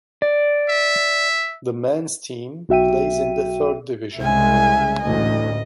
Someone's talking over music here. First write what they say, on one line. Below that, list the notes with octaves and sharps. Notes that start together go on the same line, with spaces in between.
The men's team plays in the Third Division.
D5
E5
B1 F#4 E5 G5 D#7
C2 C#3 G#3 E5 G#5
A1 D2 A2 D#5